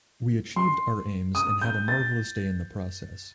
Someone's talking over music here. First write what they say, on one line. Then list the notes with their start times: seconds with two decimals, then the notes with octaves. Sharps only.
We achieved our aims and had a marvellous day in the process.
0.56 C6
1.35 D#6
1.62 G6
1.88 A6